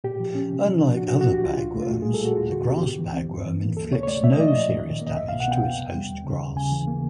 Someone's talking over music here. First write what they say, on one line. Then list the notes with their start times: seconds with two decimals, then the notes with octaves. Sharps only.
Unlike other bagworms, the grass bagworm inflicts no serious damage to its host grass.
0.04 A#2 G4
0.20 F3
0.35 C#4
0.51 C3
0.66 F3
0.82 D4
0.97 A#2 F#4
1.08 F#4
1.12 F3
1.21 F#4
1.28 D4 G4
1.44 C2 F4
1.59 A#2
1.75 A3
1.82 F4
1.90 A#2 F#4
2.02 G#4
2.06 G3
2.14 A4
2.21 A#2 F#4
2.37 D#2 F4
2.52 D3 F#4
2.68 B3 G4
2.84 G#2
2.98 E3
3.14 C4
3.30 G2
3.45 E3
3.61 A#3
3.77 D2 A4
3.92 C3 C#5
4.03 C#5
4.07 A3 D5
4.23 A#2 E5
4.32 D#5
4.39 F3 D5
4.48 D#5
4.54 A#2
4.70 G#2
4.85 D#3
5.02 A#3
5.07 D#5
5.16 C2 E5
5.29 F5
5.32 B2
5.40 F#5
5.48 B3 G5
5.63 F2
5.79 C3
5.95 G3
6.10 D#2
6.25 C#3
6.40 D#2
6.56 C#3 G#5
6.72 E3
6.87 A#3